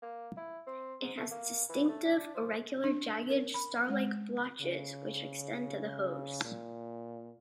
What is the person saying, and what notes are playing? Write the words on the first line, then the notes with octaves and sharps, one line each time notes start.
It has distinctive, irregular, jagged, star-like blotches which extend to the hooves.
A#3
E4
C4
G#2
A3
A#3
E3
A3
D4
F3
D4
A#4
B5
G#3
C#3
A#2